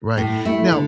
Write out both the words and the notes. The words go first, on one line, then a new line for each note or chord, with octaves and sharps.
Right. Now
A2
A3 E4
D3